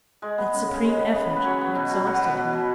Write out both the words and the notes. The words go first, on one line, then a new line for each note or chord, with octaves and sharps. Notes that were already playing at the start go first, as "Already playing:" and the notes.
That supreme effort had exhausted him.
G#3
B3
C#3
C#3
G#3
B3
C#3
C#3
B4
F#3 C#5
B3
B2
B2
F#3 F#5
B3
B2
B2